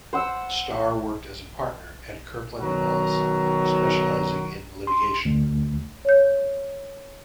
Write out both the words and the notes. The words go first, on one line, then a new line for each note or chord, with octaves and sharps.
Starr worked as a partner at Kirkland and Ellis, specializing in litigation.
C5 F#5 E6
B2 D#3 F#3 F#4 A#5
C6
D2
C#5 G6